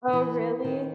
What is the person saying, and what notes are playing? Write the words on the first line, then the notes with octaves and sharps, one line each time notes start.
Oh, really?
D#3
E3
D#3